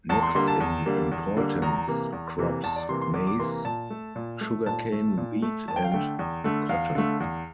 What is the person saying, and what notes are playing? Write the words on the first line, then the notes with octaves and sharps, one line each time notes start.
Next in importance crops maize sugarcane wheat and cotton.
E2 A5
C6
D3 G3 A#3 C6
A5
E2
D3 G3 A#3
E2
D3 G3 A#3
E2 A#5
C3 E3 A#3
E2
C3 E3 A#3
E2 A5
D5
C3 E3 A#3 C6
C6
E2 D6
D6
C3 E3 A#3 C6
A#5
A#2 A5
A3
A#2
A3
A#2 A5
A3
A#2
A3
E2 A5
G5
F5
D3 A3 G5
E2
D3 A3
E2 F5
D3 A3
E2